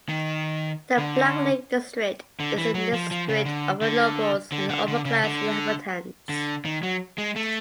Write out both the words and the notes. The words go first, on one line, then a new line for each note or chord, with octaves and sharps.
The Blacklake District is the district of the nobles and upper-class inhabitants.
D#3
D3
D3
E3
F#3
F3
F3
C#3
D3
D3
D3
D3
D3
C#3
D3
D3
D#3
F#3
G#3
A3